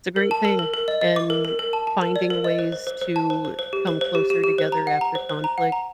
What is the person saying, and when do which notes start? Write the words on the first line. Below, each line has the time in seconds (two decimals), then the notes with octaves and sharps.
it's a great thing, and, finding ways to come closer together after conflict
0.16 A#4
0.31 A5
0.45 A#4
0.59 A#4
0.74 A#4
0.88 D#5
1.01 D#5
1.16 D6
1.30 A#4
1.45 A#4
1.59 A#4
1.73 A5
1.87 A5
2.02 A#4
2.16 D5
2.30 A#4
2.44 D#5
2.59 C5
2.72 C5
2.87 C5
3.02 C5
3.16 A5
3.30 C5
3.45 C5
3.59 C5
3.73 G4
3.87 C5
4.01 C5
4.15 G4
4.30 G4
4.44 G4
4.58 C5
4.72 A#5
4.87 F#5
5.01 A#5
5.15 C5
5.30 C5
5.44 A#5
5.58 F#5
5.72 A#5